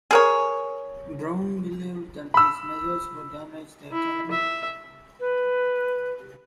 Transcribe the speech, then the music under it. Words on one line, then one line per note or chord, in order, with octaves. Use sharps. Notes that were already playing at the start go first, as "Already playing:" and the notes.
Brown believed that these measures would damage the economy.
G#4 A#4 C#5
B5 E6
E4
E5
B4